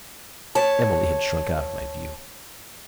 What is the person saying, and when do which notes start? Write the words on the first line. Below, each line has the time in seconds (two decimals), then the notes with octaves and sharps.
Emily had shrunk out of my view.
0.55 C#5 A5